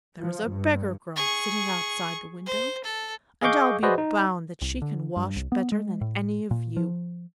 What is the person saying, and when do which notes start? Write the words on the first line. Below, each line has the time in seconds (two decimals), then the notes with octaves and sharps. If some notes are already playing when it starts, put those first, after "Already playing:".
There is a beggar-girl sitting outside the window, and I'll be bound that she can wash better than any of you!
0.20 F3
0.49 G2
1.16 G#4 C#6
2.46 C5
2.84 A4
3.42 G#4 D#5 F5 C#6 D6 G6
3.83 F#4 G#4 B4 C5 D5 D#5
3.98 D#4
4.62 C2
4.82 D3
5.17 G2
5.36 C2
5.52 B3
5.72 G#3
6.01 A2
6.51 A#2
6.77 F3